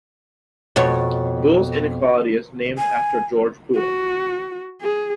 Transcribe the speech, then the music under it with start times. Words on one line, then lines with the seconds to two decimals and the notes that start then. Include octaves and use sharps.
Boole's inequality is named after George Boole.
0.76 F2 B2 C#5
2.78 G#5
3.76 F#4
4.81 G#4